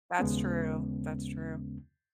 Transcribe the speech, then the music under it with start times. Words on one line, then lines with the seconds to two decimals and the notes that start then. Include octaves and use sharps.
That's true, that's true.
0.19 D#2 C#3 G#3 B3 C#4